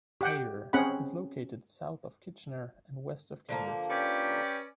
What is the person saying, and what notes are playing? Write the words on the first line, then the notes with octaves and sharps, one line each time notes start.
Ayr is located south of Kitchener and west of Cambridge.
G4 F#5 G5
C4 C#4 G#4 F#5 B5
D3 F3 A#3
C#4 G4 B4 D5